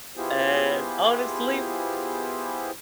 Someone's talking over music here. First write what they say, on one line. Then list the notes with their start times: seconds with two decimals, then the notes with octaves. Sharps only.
And honestly,
0.17 B3 E4 F4 G4 G#4 C5